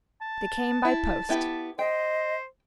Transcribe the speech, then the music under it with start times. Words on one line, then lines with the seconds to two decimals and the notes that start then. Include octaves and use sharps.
"They came by post."
0.22 A5
0.85 E4
1.29 B3 E4 G4
1.79 C5 D#5 G5